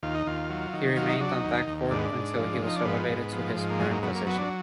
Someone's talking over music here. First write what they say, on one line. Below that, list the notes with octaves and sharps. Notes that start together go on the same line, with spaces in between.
He remained on that court until he was elevated to his current position.
D#2 F4
D#4
D#2 F4
F#3
D#3
F#3 F4
D#4
F#3 D4
D#4
D#2
D#2
G#2 D4
B3
D4
G#2
F3
F3 D#4
D4
G#2 B3
G#2
F3
G#2
A#3
F#2 G#3
A#3
F#2 B3
A#3
F#3 B3
D4